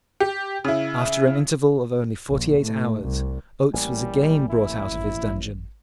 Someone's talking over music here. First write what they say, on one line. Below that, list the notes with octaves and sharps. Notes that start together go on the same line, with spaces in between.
After an interval of only forty-eight hours, Oates was again brought out of his dungeon.
G4
C#3 E4
A#1
A2
C2
A1 G3 A#3 G#5
E4
G#1